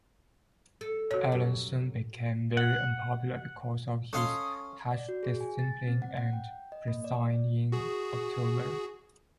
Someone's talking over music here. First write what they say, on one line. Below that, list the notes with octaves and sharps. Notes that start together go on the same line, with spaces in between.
Allen soon became very unpopular because of his harsh discipline and resigned in October.
A4
C3 F#4 C#5
F#2
F#5
C#4 A4 D#5 F5 C6 D#6
D5
F#4
G#4
G#5
A6
C4
F#5
F#5
G5
D#5
A#3
D5
F#4 G#4